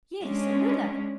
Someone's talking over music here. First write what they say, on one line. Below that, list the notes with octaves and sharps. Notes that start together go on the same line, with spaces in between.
Yes, and whither?
G#3 C#4 D4